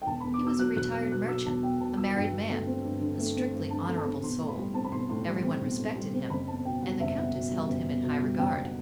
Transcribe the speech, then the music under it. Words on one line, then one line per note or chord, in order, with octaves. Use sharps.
He was a retired merchant, a married man, a strictly honorable soul; everyone respected him, and the Countess held him in high regard.
G5
E1 A5
E2 B5
D6
B2 E6
F#3 F#6
E1 F#6
E2 F#6
B2 F#6
F#3 E6
E1 A5
E2 G5
B2 A5
F#3 E6
G2 G5
D3
A3
C4
G2
D3
A3
C4
G2
D3 A5
A3 B5
A5
C4
B1 C6
A2
B5
G3
C4 A5
B5
B1 C6
A2 C6
G3
C4
B1
A2
G3
C4
F#1 B5
E2 A5
B2 G5
G3 F#5
F#1 E5
E2 F#5
B2
G3
F#1
E2
B2
G3
F#1 G5
F#2
F#5